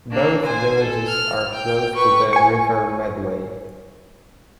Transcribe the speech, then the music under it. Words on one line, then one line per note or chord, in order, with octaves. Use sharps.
Both villages are close to the River Medway.
A#3 D4
C5 G#5
A4
F6
G5
B4 C#6
G#5 C#6